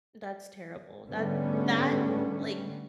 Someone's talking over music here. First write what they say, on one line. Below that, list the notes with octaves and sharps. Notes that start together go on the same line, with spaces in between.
That's terrible. That that, like,
G#2 D3 G3 A3 B3 C#4